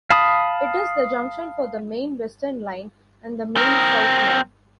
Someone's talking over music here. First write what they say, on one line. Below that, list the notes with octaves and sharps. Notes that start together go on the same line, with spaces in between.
It is the junction for the Main Western line and the Main South line.
F5 A5 B5 D#6
C4 A#4